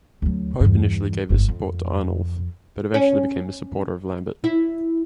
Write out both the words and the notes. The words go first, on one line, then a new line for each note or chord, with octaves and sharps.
Pope initially gave his support to Arnulf, but eventually became a supporter of Lambert.
D2 F#3
E2 G2
G1 F2
F2
C#4
E4